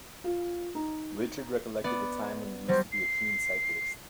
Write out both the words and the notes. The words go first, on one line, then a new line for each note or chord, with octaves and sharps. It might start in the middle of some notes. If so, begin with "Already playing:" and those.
Richard recollected the time when he used to be a keen cyclist.
F4
D#4
B3 D5
F#3 G3 C5
C7